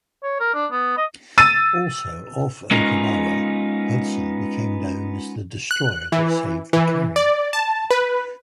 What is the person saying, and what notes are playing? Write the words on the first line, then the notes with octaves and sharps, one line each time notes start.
Also off Okinawa, "Hudson" became known as the "destroyer that saved a carrier".
C#5
A#4
D4
B3
D#5
E6 A6 D#7
G#3 B3 C#4 D#4 F4 A#4
F#6
E3
E3
D5
A5
B4